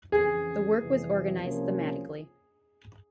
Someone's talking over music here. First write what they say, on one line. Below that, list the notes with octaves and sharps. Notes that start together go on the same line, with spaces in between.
The work was organized thematically.
F2 C#3 E3 G#4
F2 C3 E3 G3 B3
C2 C3 F3 A#3 C#4